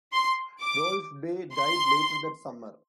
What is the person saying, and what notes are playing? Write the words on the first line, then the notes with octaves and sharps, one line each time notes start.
Rolf Bae died later that summer.
C6
D6
C6